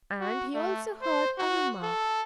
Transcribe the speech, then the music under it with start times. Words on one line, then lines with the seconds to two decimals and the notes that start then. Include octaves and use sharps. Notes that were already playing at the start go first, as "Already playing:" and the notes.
And he also heard a remark.
0.21 F#4
0.54 A3
1.02 C5
1.38 F#4
1.83 A4